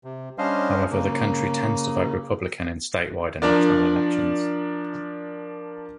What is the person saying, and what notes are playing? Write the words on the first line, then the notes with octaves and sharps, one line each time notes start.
However, the county tends to vote Republican in statewide and national elections.
C3
G3 C#4 D4 C5 D#5 F5
C#3 A#3
F3 D4 A#4 D5